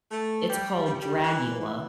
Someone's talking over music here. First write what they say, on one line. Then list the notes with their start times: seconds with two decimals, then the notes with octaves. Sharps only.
It's called Dragula.
0.11 A3
0.49 G3
0.86 G3
0.94 F3
1.01 G3
1.24 E3
1.60 E3